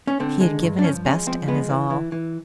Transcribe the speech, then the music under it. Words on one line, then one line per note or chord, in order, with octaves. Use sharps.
He had given his best and his all.
C#4
D3 C4
G#3
G2
D4
F3 C#4
G#3 C#4
F3 C4
G#3 B3
E3
E3
E3